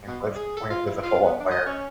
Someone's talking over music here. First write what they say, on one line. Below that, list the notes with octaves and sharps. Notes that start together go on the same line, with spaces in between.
When he plays when he plays a football player.
B2
G3
G#4
A4
F4
E4
F4
B3
D4
D#5
C#4